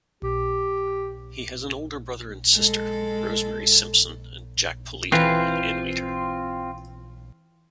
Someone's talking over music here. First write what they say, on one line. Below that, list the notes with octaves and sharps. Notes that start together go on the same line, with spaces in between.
He has an older brother and sister, Rosemary Simpson and Jack Polito, an animator.
G4
G#3 A4
E3 C4 F4